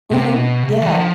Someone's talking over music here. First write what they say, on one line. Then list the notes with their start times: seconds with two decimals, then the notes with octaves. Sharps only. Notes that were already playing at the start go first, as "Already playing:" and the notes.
Mhm. Yeah.
0.11 C3
0.33 B2
0.63 C3
0.82 E3
0.93 F3